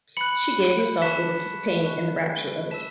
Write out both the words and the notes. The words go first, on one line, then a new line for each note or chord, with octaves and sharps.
She gave herself over to the pain and the rapture of it.
B5 F#6 C#7 F#7
A5 C#6 F#6 B6 E7
A5 C#6 F#6
A5 E6 B6 E7